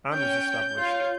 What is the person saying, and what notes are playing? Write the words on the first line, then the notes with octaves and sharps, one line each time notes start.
Anne was established.
C#4 C#5 G5 G6
F4 C#5 F5